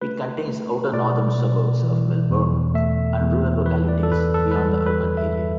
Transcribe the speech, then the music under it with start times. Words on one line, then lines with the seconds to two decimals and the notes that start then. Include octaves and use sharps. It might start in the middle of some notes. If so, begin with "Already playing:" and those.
It contains outer northern suburbs of Melbourne and rural localities beyond the urban area.
0.01 A3 B4
0.48 A3
0.93 B2 D5
1.38 B2
1.83 E3
2.30 E2
2.74 A3 E5
3.21 E2
3.66 E3 B4
3.89 D5
4.03 A4
4.10 G2 B4
4.34 A4
4.51 B4
4.56 G3 A4
4.86 B4
5.02 G2
5.17 E5